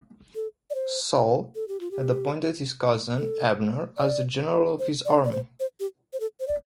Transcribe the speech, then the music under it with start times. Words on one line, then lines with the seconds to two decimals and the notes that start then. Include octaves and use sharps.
Saul had appointed his cousin Abner as the general of his army.
0.35 A4
0.70 D5
0.75 C5
1.55 A4
1.68 G4
1.80 F4
1.91 G4
3.17 A4
3.97 D5
4.79 C5
5.05 D5
5.24 D5
5.32 C5
5.60 C5
5.80 G4
6.13 C5
6.20 A4
6.40 C5
6.48 D5